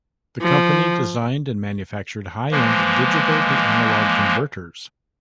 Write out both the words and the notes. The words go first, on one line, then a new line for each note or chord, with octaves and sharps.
The company designed and manufactured high-end digital-to-analog converters.
F3
E3 F3 G#3 A#3